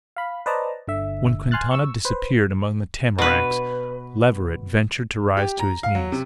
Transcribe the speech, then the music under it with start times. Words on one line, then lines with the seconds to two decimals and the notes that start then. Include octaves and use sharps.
When Quintana disappeared among the tamaracks, Leverett ventured to rise to his knees.
0.17 F5 B5
0.46 B4 C5 D5 D#5 A5 A#5
0.88 G1 D3 E5
1.51 G#5 C6 F6 F#6 A6
1.71 C#6 E6
2.05 B4 C5
3.18 B2 B4
5.37 G4
5.59 A#5
5.83 F5
5.95 F#3
6.12 C3